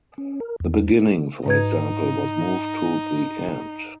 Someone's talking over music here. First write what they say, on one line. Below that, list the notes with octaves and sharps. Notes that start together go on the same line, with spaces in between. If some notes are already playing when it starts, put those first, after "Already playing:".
The beginning, for example, was moved to the end.
C#4
A#4
E2
G#2 D#4 B4 G#6